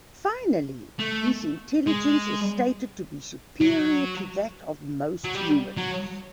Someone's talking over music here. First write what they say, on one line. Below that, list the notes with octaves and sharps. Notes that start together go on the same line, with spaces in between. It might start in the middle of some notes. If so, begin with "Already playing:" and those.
Finally, his intelligence is stated to be superior to that of most humans.
A3
G#3
F#3
F#3
G3
F#3